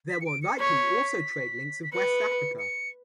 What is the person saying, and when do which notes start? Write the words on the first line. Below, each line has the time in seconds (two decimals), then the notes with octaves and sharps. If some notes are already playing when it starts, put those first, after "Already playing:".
There were likely also trade links with West Africa.
0.10 B6
0.21 C#7
0.26 D7
0.42 C#7
0.59 C#5 B6
1.83 B6
1.92 B4 C#7
2.59 C#7